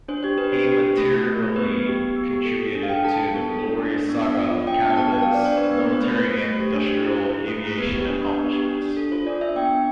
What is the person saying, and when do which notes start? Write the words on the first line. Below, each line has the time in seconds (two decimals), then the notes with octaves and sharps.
He materially contributed to the glorious saga of Canada's military and industrial aviation accomplishments.
0.08 D4 C5
0.23 G4 C5
0.37 D4 B4
0.52 G4 C5
0.67 G4
0.82 G4
0.97 A3
1.12 E4
1.27 A3
1.42 A3
1.56 B3 B4
1.71 B3
1.87 G4
2.02 B3
2.16 B3
2.31 G4
2.45 A4
2.60 A4
2.75 D4
2.83 F5
2.89 A4 G5
3.05 A4 A5
3.20 A4 A5
3.34 B3
3.49 A4
3.64 D4
3.79 D4
3.94 D4
4.09 B3
4.23 B3
4.38 F4
4.53 F4
4.67 D4 G5
4.82 B3 A5
4.97 B3 A5
5.12 B3 G5
5.23 F5
5.26 D4
5.34 D5
5.42 D4 C5
5.56 B3 B4
5.71 B3 B4
5.85 B3 C5
6.01 A3 B4
6.15 A3 C5
6.30 A3 C5
6.45 A3 C5
6.60 G4
6.75 D4
6.89 G4
7.05 E4
7.19 E4
7.34 E4
7.48 A3
7.64 E4
7.78 B3 B4
7.93 G4
8.08 D4
8.23 D4
8.37 B3
8.53 G4
8.67 D4
8.81 D4
8.97 A4
9.12 F4 C5
9.26 D4 D5
9.41 D4 E5
9.56 B3 G5
9.71 B3